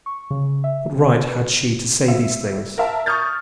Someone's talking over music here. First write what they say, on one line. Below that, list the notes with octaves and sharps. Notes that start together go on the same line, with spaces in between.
What right had she to say these things?
C#6
C#3
E5
C3
B4
E5
A#4 E5 A5
C#6 D#6 F6 G6 A6